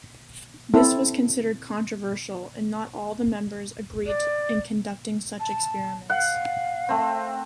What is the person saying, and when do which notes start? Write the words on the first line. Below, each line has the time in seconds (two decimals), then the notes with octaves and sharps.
This was considered controversial and not all members agreed in conducting such experiments.
0.74 C4 E4 A4
4.07 D5
5.40 A5
6.10 F5 F#5
6.89 A3 C4